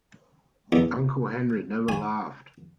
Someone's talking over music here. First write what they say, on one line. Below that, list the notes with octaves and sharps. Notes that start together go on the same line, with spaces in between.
Uncle Henry never laughed.
E2
G#5